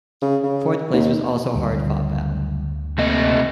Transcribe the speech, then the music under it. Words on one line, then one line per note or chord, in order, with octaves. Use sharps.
Fourth place was also a hard fought battle.
C#3
C#3
D#2
F#1 D2 D3 G3
C3 A3 A#3 D#5